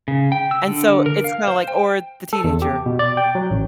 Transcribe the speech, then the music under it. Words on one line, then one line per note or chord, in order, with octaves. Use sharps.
And so, it's kinda, like or the teenager
C#3
G5
E6
D3
A#4
F5
C5
G5
A4
E2
G4
B2
D5
G5
F#3
A1